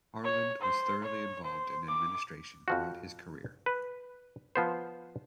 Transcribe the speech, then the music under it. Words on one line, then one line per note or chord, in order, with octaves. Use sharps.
Harland was thoroughly involved in administration throughout his career.
C#5
C5
C#5
C5
D6
F2 F3 F#4
B4
F3 B3 C5